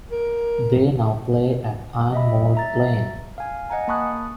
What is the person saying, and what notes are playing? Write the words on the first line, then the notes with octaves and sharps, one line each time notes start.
They now play at Ironmould Lane.
A#4
D#5 E5 B5
E5 A#5 A6
F5 G#5
D#5 F#5 G#5 A#5
A#3 A5 B5 C#6 D#6 F#6